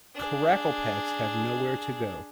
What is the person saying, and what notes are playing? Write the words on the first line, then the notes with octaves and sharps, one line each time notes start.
Karakalpaks have nowhere to go.
D4 G#4